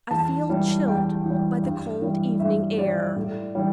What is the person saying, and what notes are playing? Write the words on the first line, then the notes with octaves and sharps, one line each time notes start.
"I feel chilled by the cold evening air."
E2 A5
E3 G3
E2 G5
E3 G3
G2
E3 G3
G2 E5
E3 G3 D5
A2
E3 G3